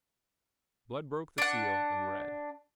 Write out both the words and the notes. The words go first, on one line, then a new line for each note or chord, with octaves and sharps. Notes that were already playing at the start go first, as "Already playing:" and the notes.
Blood broke the seal, and read.
D4 F#5